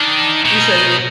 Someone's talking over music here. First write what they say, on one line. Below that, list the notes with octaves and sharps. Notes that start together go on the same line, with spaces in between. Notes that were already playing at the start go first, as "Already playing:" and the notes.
You said who?
Already playing: D#3 D4
B2 D#4